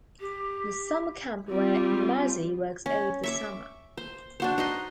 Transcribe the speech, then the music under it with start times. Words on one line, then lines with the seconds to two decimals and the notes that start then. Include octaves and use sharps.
The summer camp where Maddie works over the summer.
0.20 G4
1.49 G3 C4 F4
2.86 C#4
3.23 E5 C#6 D6
3.97 C5
4.40 D4 F#4 C5
4.58 D#4 D#5 C6